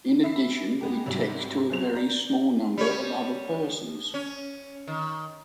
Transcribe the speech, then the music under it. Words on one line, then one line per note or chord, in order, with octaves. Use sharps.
In addition we text to a very small number of other persons.
E5 B5 B6 C7
G#3 B3 G4
G#2 C3 F#3 G3
B1 B2 F#3 G#4 C5 F7
D5 A#5 G6
G3 C#4 C#5
C#4
D#3